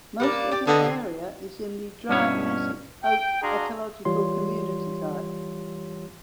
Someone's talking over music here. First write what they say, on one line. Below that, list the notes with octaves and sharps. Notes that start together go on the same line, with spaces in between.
Most of the area is in the Dry Mesic Oak ecological community type.
G3 A#3 D4
G4 D5
D3 B3 D#5 F#5
C3 C4 G#5
G2 B2 C#4 E4 G#4 C#5
G5
D4 F#4 G#4 F5 A#5 C6
E3 G3 F4 G4 C#5 C6